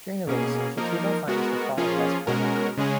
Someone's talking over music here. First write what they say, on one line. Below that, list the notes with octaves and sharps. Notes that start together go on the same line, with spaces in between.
During the race, Shikiba finds the car has less power.
B2 A#3 C#4 G#4
F3 A#3 D#4 A#4
G#3 B3 F#4 A#4
F3 A#3 C#4 F4 G#4
B2 G#3 C#4 F#4 A#4
C#3 G#3 C#4 G#4